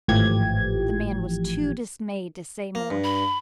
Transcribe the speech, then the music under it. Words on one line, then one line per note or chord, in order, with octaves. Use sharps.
The man was too dismayed to say more.
G#1 A2 E3 F3 G4 G#6
A#3
G2
B5